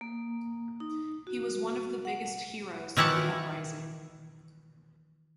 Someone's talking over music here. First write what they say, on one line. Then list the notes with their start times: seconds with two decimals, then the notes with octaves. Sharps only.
He was one of the biggest heroes of the Uprising.
0.01 A#3
0.80 D#4
1.27 F#4
2.05 F#5
2.97 D#3 E3 E4 D5 F#5